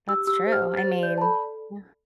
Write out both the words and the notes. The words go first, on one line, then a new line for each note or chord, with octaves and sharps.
That's true. I mean, yeah.
G4 E6
G4 E6
C5
F6
G4
A6
C5
D5 G6
A5
A4 B5